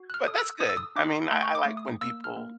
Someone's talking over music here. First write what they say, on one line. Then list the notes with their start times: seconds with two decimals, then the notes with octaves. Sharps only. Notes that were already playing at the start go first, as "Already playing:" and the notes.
But that's good. I mean, I I like when people,
Already playing: F#4
0.10 F#6
0.14 F6
0.25 A4 D#6
0.37 E6
0.60 A4 D#6
0.69 E6
0.77 D#6
0.96 D4 D6
1.30 A3 D#6
1.43 C#6
1.55 D6
1.65 A3
1.77 D#6
2.01 A#3 E6
2.24 F6
2.37 A#3